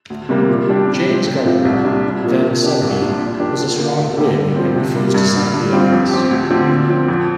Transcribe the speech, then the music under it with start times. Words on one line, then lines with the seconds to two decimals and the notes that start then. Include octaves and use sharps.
James Gardiner, then sub-dean, was a strong whig and refused to sign the address.
0.10 D2
0.29 C3 G3 A#3
0.49 A#2
0.68 G3 D4 G4
0.87 C3
1.06 F3 C4
1.27 C3
1.45 F3 C4 F4
1.65 C2
1.84 A#2 G3 D4
2.04 C2
2.23 A#2 F3 A#3
2.43 C3
2.62 A#3 D4 G4
2.81 C2
3.01 A#2 G3 D4
3.20 A#2
3.39 F3 A#3 D4 G4
3.59 D3
3.79 A#3 F4
3.98 D2
4.17 D3 A#3 G4
4.36 G2
4.56 F3 C4
4.75 C3
4.95 G3 A#3
5.14 G2
5.34 D3 G3
5.54 G2
5.73 G3 C4 F4
5.92 F2
6.11 F3 C4 G4
6.31 D2
6.50 D3 F3 C4
6.70 A#2
6.89 F3 C4
7.08 F2